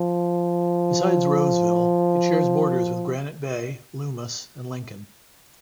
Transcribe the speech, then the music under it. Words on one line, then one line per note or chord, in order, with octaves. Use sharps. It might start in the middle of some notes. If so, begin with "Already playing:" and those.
Besides Roseville, it shares borders with Granite Bay, Loomis and Lincoln.
Already playing: F3